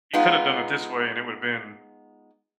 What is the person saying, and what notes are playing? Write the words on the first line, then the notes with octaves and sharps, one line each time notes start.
You coulda done it this way, and it would’ve been"
G#3 B3 D#4 F4